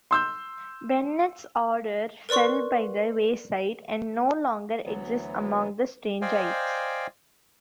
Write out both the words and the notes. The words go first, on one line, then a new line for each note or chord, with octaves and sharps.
Bennett's "order" fell by the wayside and no longer exists among the Strangites.
C6 E6 G6
A#4 B4 D5 C6 C#6
D2 E3 F#3 B3
C5 D5 D#5 F5 G5 G#5